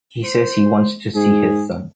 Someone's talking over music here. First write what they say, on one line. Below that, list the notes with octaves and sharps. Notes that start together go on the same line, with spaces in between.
He says he wants to see his son.
C5
G#2 G#4